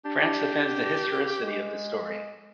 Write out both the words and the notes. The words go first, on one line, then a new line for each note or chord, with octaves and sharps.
France defends the historicity of this story.
D4 G4
G#3